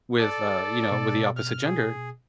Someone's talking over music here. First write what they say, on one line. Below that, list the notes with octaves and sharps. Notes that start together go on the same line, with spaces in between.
with, uh you know, with the opposite gender,
A4 D5
B2
F6
G#4